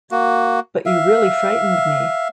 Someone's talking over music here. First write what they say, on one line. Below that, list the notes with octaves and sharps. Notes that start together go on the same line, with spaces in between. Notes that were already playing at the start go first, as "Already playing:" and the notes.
But you really frightened me.
A#3 F#4
E5 F5